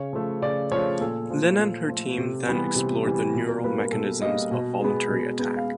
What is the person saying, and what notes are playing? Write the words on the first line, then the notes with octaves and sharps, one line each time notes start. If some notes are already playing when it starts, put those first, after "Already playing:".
Lin and her team then explored the neural mechanisms of voluntary attack.
Already playing: C#3 C#5
F3 A3
C#3 D5
F3 A3 C#5
A#2 A4
F3 A3
A#2
F3 A3
C3
E3 G3 B3
C3
E3 G3 B3
B2
A#4
G3 A#3 B4
A#4
B2 A4
G3 A#3 D#5
B2
G#3 B3
B2
G#3 B3
F5